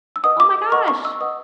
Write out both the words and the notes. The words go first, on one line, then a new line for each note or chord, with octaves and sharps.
Oh my gosh!
E6
B4 D#5 F#5 D#6
D6
B4 D#5 F#5 C#6
C#6
E6
B4 D#5 F#5 D#6